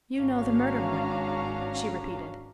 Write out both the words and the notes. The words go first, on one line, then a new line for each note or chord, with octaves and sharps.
"You know the murderer," she repeated.
G#1 C#4 D4 F#4 F5 A#5